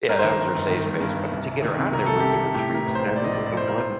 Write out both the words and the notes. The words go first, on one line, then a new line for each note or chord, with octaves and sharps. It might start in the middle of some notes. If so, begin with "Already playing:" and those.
Yeah, that was her safe space, but to get her out of there, we'd give her treats, and I remember the one
G2 A#4
C5
D#3
A#4
G1
G1
D#3
G1
G2
G1
C2
C2
D#3
C3
C2 A#4
C2 A4
C3 G4
A4
C3
A2 G4
A2
A#4
A1
A2 C5
A2 D5
D#5
A2 D5
A1 D5
A2 C5
A#4
C5